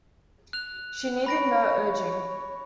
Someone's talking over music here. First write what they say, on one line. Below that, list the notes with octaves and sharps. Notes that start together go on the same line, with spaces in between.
She needed no urging.
F#6 F7
C#5 B5 A#6 D7